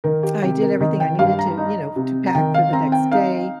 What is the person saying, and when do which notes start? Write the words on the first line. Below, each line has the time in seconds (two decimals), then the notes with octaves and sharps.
I did everything I needed to you know, to pack for the next day
0.04 D#3 A#4
0.23 G4
0.43 C3 G4
0.61 A#4
0.80 D#3 D#5
1.00 G5
1.19 G2 F5
1.39 A#5
1.57 D#4
1.96 C3
2.27 A#5
2.35 D#3 G5
2.54 F5
2.73 C4 A#5
2.92 G5
3.12 D#4 F5